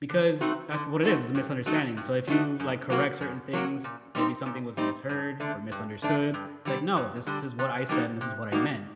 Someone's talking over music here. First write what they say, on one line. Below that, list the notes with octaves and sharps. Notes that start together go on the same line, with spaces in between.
because that's what it is, it's a misunderstanding, so if you, like, correct certain things, maybe something was misheard or misunderstood, like, "No, this is what I said, and this is what I meant,"
D3
A3 C4 D#4 F#4
D3
A3 C4 D#4 F#4
G2
F#3 A3 D#4 F#4
G2
F#3 A3 D#4 F#4
F#2
F#3 A#3 F#4
F#2
F#3 A#3 F#4
A#2
G3 C4 D#4
A#2
G3 C4 D#4
G2
D3 A3 D4
G2
D3 A3 D4
G2
D3 G3
G2
D3 G3
C3
G3 A#3 D#4 F#4
C3
G3 A#3 D#4 F#4